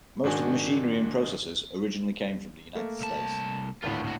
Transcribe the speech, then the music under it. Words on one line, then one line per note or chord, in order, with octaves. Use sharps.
Most of the machinery and processes originally came from the United States.
G#2 D#3 D4 F#4 G#5
A3 A#3
C2 A5
G#1 D2 A2 F4 B4
A#2 F#4